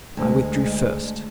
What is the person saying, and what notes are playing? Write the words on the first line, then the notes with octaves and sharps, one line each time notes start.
I withdrew first.
D2 G#3